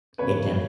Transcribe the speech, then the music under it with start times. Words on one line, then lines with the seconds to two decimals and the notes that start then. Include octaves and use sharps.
It does.
0.18 E2 C#3 E3 B4 C#5